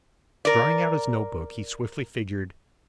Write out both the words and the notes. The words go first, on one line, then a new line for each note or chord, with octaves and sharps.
Drawing out his note-book he swiftly figured.
A#4 D5